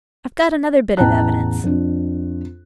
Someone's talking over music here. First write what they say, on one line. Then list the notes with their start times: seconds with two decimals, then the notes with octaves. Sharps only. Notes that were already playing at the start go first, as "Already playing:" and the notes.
I've got another bit of evidence.
0.97 A1 E2 G5 A5 A#5 F#6
1.64 F2 D4